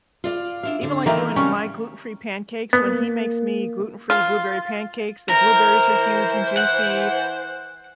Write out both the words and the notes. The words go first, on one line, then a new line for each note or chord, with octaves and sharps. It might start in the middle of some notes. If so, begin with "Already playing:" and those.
Even, like, doing my gluten-free pancakes, when he makes me gluten-free blueberry pancakes, the blueberries are huge and juicy,
F4 D5 F5
D4 E4 F5
D2 D3
D#3 E3 A3 A#3 C4 E4
F2 C#3 G3 C#4 C#5
A#3 B3
F4
E3 E4 A#4 C5
F#5